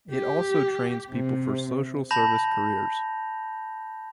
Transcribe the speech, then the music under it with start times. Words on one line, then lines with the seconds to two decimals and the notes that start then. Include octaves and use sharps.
It also trains people for social service careers.
0.13 G4
1.12 C3
2.11 A5 B5 G6 A#6 F7